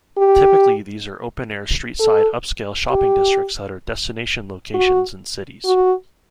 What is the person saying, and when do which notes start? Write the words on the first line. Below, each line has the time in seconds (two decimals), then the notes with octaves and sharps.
Typically these are open-air street-side upscale shopping districts that are destination locations in cities.
0.18 G4
2.00 A4
2.91 G4
4.75 F#4
5.65 F#4